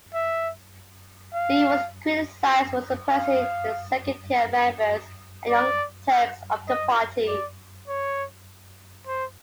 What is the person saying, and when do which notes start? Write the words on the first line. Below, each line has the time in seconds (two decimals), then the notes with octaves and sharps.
Lee was criticized for suppressing the second-tier members and "Young Turks" of the party.
0.14 E5
1.34 F5
3.11 F5
5.49 D5
6.68 D#5
7.27 D5
7.88 C#5
9.07 C5